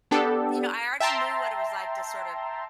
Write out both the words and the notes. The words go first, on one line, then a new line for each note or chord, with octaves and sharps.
You know, I already knew what it was like to, sort of
B3 D4 G4 A4
E5 G5 A5 A#5 C6